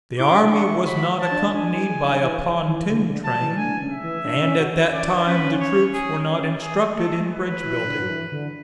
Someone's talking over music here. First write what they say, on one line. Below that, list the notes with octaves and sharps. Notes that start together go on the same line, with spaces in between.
The army was not accompanied by a pontoon train, and at that time the troops were not instructed in bridge building.
E4 D6
C#4
D4
D4 C#6
E4
F#4 B5
A5
D4
D4 G#5
E3
G#3
D3
E3
E3
D3
D3
F#3 A5
E3
D3 G#5
C#3
E5
E3
D4
C#4
F#4
E4
C#4 D5
D4
C#4 B4
C#4
C#5
G#4
G#4
A3 A4
G#3
B4
F#3
E3
D3
F#3
E3
D3